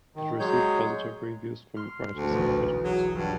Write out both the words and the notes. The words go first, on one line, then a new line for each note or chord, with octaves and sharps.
It received positive reviews from writers and critics.
D#3
F#3 G#3 G#4 C#5 G6
C6 F6
D2
E1 B1 A#2
A6
F#3 G#4
G2 F#3 E4 F4